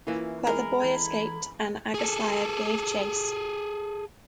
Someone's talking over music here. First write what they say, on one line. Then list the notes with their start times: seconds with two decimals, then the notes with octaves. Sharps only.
But the boy escaped and Agasthya gave chase.
0.07 E3 A#3 C#4 E4 F4
0.47 G#3 A#4 B5
0.80 E3 A4 B5 G#6
1.94 G#4 A4